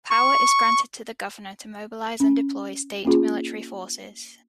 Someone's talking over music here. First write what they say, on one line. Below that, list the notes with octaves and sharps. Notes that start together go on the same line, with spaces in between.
Power is granted to the governor to mobilize and deploy state military forces.
C#6
C#4
A#3 C#4 F4 G#4